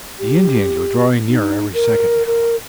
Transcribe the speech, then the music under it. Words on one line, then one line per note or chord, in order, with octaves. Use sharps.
The Indians were drawing nearer every second now.
G4
D#4
A#4
A#4